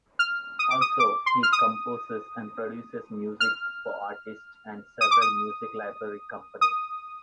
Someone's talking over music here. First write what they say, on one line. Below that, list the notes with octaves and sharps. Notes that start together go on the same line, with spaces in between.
Also, he composes and produces music for artists and several music library companies.
F6
D#6
D6
D#6
D6
C6
F6
D#6
F6
D#6
D6
D#6
D#6